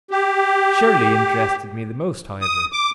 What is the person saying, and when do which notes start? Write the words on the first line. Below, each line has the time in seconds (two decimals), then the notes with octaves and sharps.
Shirley interested me the most, however.
0.11 G4
2.41 D#6
2.72 D6